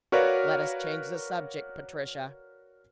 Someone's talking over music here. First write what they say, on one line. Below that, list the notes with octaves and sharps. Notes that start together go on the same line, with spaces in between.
"Let us change the subject, Patricia."
F#4 A#4 B4 C#5 D5 F5